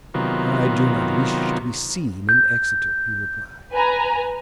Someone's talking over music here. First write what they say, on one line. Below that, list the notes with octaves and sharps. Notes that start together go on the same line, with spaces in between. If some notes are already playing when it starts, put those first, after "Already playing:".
"I do not wish to be seen in Exeter," he replied.
C3 D#3 F#3 B3 F4
G6
B4 G#5 A#5